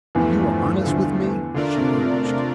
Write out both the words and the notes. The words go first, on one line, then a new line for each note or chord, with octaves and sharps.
"You are honest with me?" she urged.
E2 G2 E3 F3 A3
D3
D3 A3 D4 F4 A#4 D5
C3
C3
C3